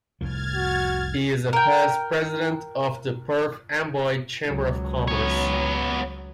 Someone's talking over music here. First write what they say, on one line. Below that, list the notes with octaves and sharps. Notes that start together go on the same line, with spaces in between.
He is a past president of the Perth Amboy Chamber of Commerce.
F1 C2 F3 F6 G#6 A6
F#4
A#4 G5
C#2 F#3
B3 C#5